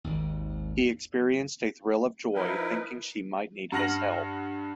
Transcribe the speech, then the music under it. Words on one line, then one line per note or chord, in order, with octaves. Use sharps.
He experienced a thrill of joy, thinking she might need his help.
G#1 D#2
F3 D#4 E4 A#4 B4
G2 F#5 F6 A#6 F#7